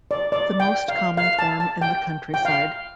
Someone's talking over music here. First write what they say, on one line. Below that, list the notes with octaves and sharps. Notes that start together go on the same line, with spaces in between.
The most common form in the countryside.
D5
D5
G5
F5
F5
A5
A5
G5
G5
F5